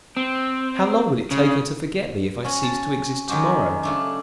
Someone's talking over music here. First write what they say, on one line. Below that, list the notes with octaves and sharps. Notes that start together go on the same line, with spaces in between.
How long will it take her to forget me if I cease to exist to-morrow?
C4
C#3
C#4 F#4 C#5 B5
A5
D#3 F#3 G#3 F#4 G4
C#3 A3 D4